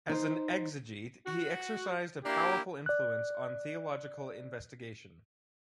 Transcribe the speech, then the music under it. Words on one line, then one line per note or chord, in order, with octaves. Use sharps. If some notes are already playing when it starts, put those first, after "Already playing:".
As an exegete he exercised a powerful influence on theological investigation.
D#4 C5
F#4
A#3 D4 E4 G4
D5 F#6